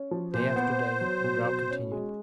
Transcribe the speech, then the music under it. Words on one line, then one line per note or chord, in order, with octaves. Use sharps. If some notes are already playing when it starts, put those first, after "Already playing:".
Day after day the drought continued.
Already playing: C#4
F3
A#2 C5
B3
B3
F#3
B2
B2
C#4
G#3